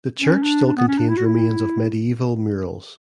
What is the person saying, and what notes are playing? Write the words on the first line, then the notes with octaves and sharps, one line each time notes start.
The church still contains remains of medieval murals.
C#4
D4
D4
B3
C#4
D4
E4
F#4
E4